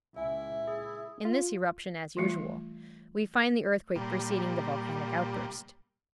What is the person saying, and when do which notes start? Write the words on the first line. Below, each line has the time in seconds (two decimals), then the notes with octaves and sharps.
In this eruption, as usual, we find the earthquake preceding the volcanic outburst.
0.16 C#2 A#2 E4 E5 G#5
0.68 G#4
1.25 F4
2.17 E3 G3 A3 F4
3.95 A#2 G3